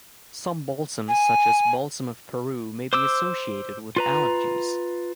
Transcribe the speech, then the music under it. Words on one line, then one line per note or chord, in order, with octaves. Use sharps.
Some balsams, such as Balsam of Peru, may be associated with allergies.
G#5
C5 D6 E6
F4 B4 A#5